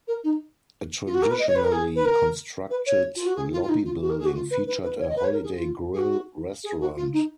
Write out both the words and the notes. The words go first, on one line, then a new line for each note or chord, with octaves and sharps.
A traditionally constructed lobby building featured a Holiday Grill restaurant.
A#4
D#4
F4
F#4
A#4
B4
D#5
C#5
B4
A#4
G#4
B4
A#4
B4
C#5
F4
F#4
G#4
F4
F4
D#4
F4
F#4
A#4
G#4
F#4
F4
B4
B4
B4
C#5
D#5
B4
C#5
A#4
G#4
F4
G#4
F#4
G#4
F#4
F4
D#4